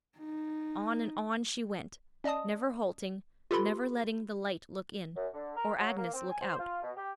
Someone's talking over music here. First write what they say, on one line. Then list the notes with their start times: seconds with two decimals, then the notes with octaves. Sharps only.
On and on she went, never halting, never letting the light look in, or Agnes look out.
0.18 D#4
2.24 C#4 D5 D#5 A5 D#6
3.51 F4 G4 A4 B4 B5 C6
5.16 F#2
5.34 D3
5.57 A#4
5.79 F#3
5.97 A#3
6.14 C4
6.30 G#5
6.42 C5
6.60 F4
6.83 B2
6.97 G4